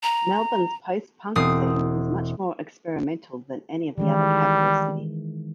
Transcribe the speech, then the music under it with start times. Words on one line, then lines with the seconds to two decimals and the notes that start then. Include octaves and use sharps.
Melbourne's post-punk scene was much more experimental than any of the other capital cities.
0.03 A#5
1.35 E1 C4 D#6 C7
3.98 D#3 E3 G3 G#3